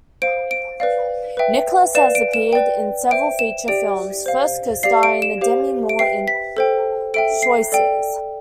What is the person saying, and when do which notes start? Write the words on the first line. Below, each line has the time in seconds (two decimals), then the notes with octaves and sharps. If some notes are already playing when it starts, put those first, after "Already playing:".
Nichols has appeared in several feature films, first co-starring with Demi Moore in Choices.
0.22 C5 F5 D7
0.51 D7
0.80 B4 D5 F5
1.37 B4 E5 G5
1.95 B4 D5 F5 E7
2.15 D7
2.34 E7
2.53 B4 D5 G5
3.10 C5 E5 G5 D7
3.39 E7
3.68 G4 D5 G5 D7
4.26 C5 F5
4.83 G4 D5 F5 C7
5.03 D7
5.22 E7
5.41 G4 C5 F5
5.89 D7
5.99 B4 E5 G5 C7
6.28 B6
6.57 A4 C5 G5
7.14 A4 E5 G5 D7
7.42 C7
7.72 A4 D5 G5